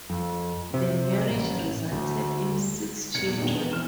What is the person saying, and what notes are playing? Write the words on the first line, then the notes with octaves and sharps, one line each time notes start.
The marriage resulted in six children.
F2
C3
A1
D2
F1 G#6 C#7
E2 A#2
A#1 E2 B2 D#3 G#3
B3
E3 C4 F6 E7